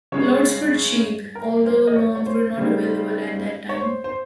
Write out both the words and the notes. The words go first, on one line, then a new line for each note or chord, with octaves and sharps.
Lots were cheap, although loans were not available at that time.
C#3 G#3 C#4 C#5
A#4
C5
D#5
C#5
C#5
C5
C#3 G3 C4 D#4
C#5
C5
C5